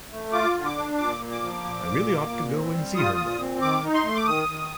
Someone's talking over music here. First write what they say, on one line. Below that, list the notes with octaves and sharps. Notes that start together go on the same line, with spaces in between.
I really ought to go and see her more.
A3
F4 D6
D3
D6
D4
A#2 D6
A#3
D6
F3
A#2
A#2
A#3
A#2
C4
G3
F4 D#6
A#2
C4
D#3 D6
D#4
C6
A3
D6
D#3 D#6
D#3